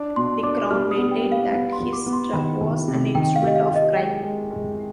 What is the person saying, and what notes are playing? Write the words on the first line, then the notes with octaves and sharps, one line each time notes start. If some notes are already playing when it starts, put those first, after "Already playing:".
The Crown maintained that his truck was an instrument of crime.
Already playing: D4
B2 C6
D4 D6
G3 F6
D#6
B3
G5
G3
F5
B3 F5
C6
B3
D6
B3
C6
D#3 B5
D#3
C3
D#3 G5
F5
G4 D#5
F5
G4
D#5
G#3 G5
G#3
G#3